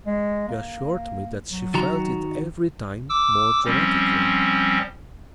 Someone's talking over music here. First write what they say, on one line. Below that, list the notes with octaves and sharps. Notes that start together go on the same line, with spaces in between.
She assured me that she felt it every time more dramatically.
G#3
A#3
F#3
D#3 F#4 A#5
D6 E6
F3 G3 C4 C#4